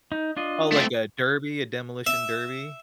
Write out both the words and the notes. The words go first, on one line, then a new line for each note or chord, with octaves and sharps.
Oh, like a derby a demolition derby?
D#4
D4 F4 D#5
A3 C4
E5